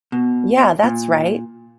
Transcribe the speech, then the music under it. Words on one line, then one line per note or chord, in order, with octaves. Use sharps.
Yeah, that's right!.
B2
A#2